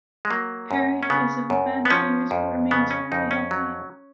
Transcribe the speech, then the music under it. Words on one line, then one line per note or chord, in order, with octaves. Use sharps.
Peric is of advanced years but remains fairly healthy.
G#3
F#3 A#3
F#2
C#4
C#3 B3
F#2
B3
F3 C#4
F2
C#3 B3
C#4
F2 D#4
C#4
F#3